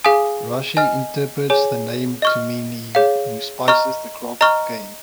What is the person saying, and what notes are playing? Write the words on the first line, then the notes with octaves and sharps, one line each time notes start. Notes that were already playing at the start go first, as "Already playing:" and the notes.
Rashi interprets the name to mean he who spices the craft of Cain.
G#4 F5 G#5 D#6
D#5 G#5 F6
G#4 C#5 G#5
D#5 C#6 F6
G#4 C#5 F5
D#5 A#5 C#6 F6
D#5 A#5 C#6 F6